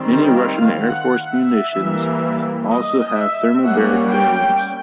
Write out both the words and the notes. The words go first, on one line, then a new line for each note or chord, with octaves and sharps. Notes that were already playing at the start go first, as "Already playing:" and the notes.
Many Russian Air Force munitions also have thermobaric variants.
Already playing: D#3 G3 C4
F5
F#5
E5
E3 G3 A#3
D#5
E5
G3 A#3 C#4 F#5
G5